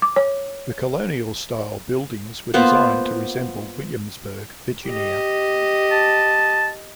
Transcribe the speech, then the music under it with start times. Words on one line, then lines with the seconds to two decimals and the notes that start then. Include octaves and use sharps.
The colonial-style buildings were designed to resemble Williamsburg, Virginia.
0.02 D6
0.16 C#5
2.54 A#3 B3 F4 C5
4.86 G4 D#5
5.91 A5